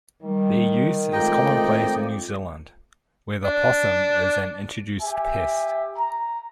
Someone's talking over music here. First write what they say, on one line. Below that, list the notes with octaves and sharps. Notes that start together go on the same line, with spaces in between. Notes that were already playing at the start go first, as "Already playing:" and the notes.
Their use is commonplace in New Zealand, where the possum is an introduced pest.
D#3 G3
G#3 A3 C4 D#4 F4 D5 D#5 G5
D4
G4 E5 G#5
A#5